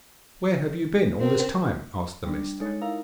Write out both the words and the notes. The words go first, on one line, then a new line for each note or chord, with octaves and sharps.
'Where have you been all this time?' asked the minister.
C4 A#4
G3 D4
G#3 D#4 A4 C#5
D#4 E4 A#4 F5 A#5